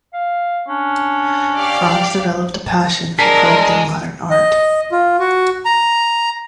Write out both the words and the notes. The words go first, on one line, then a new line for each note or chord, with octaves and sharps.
Franz developed a passion for collecting modern art.
F5
C#4 D4
G4 D5 F5
G#3 D4 A#4 A5 B6 C7
D#5
F4
F#4
A#5